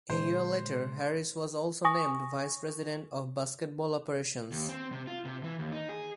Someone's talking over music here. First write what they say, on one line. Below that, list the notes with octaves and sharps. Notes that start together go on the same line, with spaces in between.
A year later Harris was also named Vice President of Basketball Operations.
A#2 D3 G#3 C5
G#5 C#6 D#6 A#6
D#2
C4
C3
F4
C3
E3
D#2
D#4
G#4